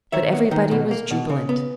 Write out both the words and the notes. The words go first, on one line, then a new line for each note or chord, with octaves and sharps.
But everybody was jubilant.
D#3 C#5 E5
B3
D#3
B2
A#3
B2
C#3
B3